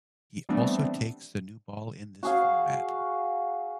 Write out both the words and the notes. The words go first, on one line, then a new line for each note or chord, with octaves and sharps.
He also takes the new ball in this format.
E3 G3 A3 B3 C4 D4
F#4 G#4 F5